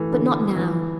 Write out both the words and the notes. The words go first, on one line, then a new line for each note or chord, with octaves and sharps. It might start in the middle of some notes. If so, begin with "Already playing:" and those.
But not now.
Already playing: E3 A3
D3
E3